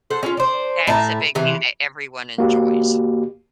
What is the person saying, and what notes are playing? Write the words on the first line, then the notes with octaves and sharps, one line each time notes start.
That's a big thing that everyone enjoys.
A4 C5 F#5
C#4 E4 F4
D4 C5
A2 E5 A5 A#5
C3 E3
A#3 F#4 G4